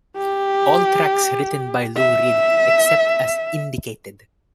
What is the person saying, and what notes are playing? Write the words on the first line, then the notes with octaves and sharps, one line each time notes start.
All tracks written by Lou Reed except as indicated.
G4
E5